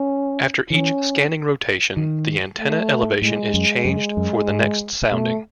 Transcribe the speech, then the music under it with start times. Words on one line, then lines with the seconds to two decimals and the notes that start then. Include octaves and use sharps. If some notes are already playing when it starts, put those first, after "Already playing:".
After each scanning rotation, the antenna elevation is changed for the next sounding.
Already playing: C#4
0.70 E3 C#4
1.97 D#3
2.59 A3
3.22 A2 G#3
3.54 F#2
3.85 F#2
4.17 F#2
4.48 G#2
5.12 B2 A3